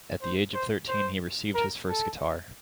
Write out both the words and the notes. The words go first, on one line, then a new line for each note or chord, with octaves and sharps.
At the age of thirteen he received his first guitar.
C5
C5
C5
A#4
A4